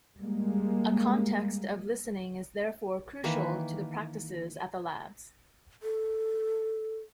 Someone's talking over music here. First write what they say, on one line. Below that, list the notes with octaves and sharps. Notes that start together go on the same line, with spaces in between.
A context of listening is therefore crucial to the practices at the labs.
G3 G#3 A#3
D#3 E3 A#3 B4
A4